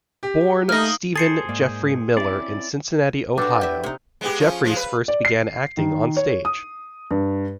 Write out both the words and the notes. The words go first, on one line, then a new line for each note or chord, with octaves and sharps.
Born Stephen Geoffrey Miller in Cincinnati, Ohio, Geoffreys first began acting on the stage.
G4
A3 A#3 D#4 F6 A#6
G#4 A4 C5 A6 C7 C#7
G#2 A#3 D5
C4 C#4 E4 D5
D4 F#4 G4 A4 B4
G4 E5
C3 D#4
G#3 B3 G4
F3 C#4 F4
F3 G#3 F4
B4
D5
C7
D#3
C#5
D#6
G2